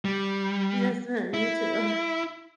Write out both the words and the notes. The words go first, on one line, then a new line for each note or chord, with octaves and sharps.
Yes, ma'am. You too.
G3
E4